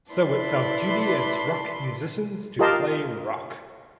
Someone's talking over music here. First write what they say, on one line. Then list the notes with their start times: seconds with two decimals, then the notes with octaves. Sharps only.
So it’s our duty as rock musicians to play rock.
0.12 E4 B4 D5 A5 C6
2.59 F4 G4 A#4 D#5 A5 C6